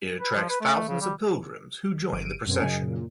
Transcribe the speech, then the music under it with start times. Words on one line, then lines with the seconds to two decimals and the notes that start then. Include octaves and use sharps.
It attracts thousands of pilgrims who join the procession.
0.20 B4
0.35 F3
0.49 B4
0.61 A3
0.88 C#3
1.01 G3
2.12 G1 D7 D#7
2.46 F#2 B2 C4
2.60 F#2 C#3 D#5 G#5
2.82 A#2